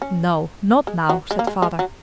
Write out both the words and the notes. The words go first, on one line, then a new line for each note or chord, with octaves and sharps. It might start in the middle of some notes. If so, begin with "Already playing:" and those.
"No, not now," said Father.
C#4
G#3
F#3
G#3
A#3
G#3
G#3
F#3